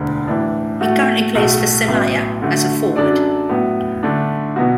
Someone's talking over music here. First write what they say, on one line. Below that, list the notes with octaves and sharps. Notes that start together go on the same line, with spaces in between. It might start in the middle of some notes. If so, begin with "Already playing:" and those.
He currently plays for Celaya as a forward.
Already playing: E1 D2 D3
A2 E3 D4
A2 A3 F#4
B1 A2 A3 F#4
A1 A2 F#3 B3
D3 A3 F#4
F#2 F#3 D4 A4 D5
A2 F#3 B3
D3 A3 D4
B2 F#3 B3 F#4